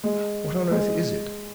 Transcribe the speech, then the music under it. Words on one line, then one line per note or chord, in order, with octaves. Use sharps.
"What on earth is it?"
G#3
G#3